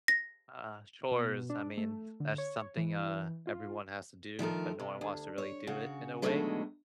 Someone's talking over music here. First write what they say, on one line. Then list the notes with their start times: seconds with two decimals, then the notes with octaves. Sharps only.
Uh, chores. I mean, that's something, uh, everyone has to do, but no one wants to really do it, in a way.
0.08 A#6
1.11 B2
1.50 D4
1.77 A3
2.20 D3
2.38 C#5
2.77 E3
3.47 F4
4.39 D#3 F3 A3 A#4
4.79 C3
5.01 D2
5.38 C#5
5.67 C#3 F#4
6.22 B2 D3 D#3 F#3 G#3 A3